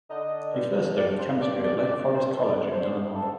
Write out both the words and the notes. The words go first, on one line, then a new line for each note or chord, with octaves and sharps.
He first studied chemistry at Lake Forest College in Illinois.
D3 D#5
G2
G2 D5
C5
G2 D5
D5
G2 D5
C5
D3
D5
G2 C5
D3 A4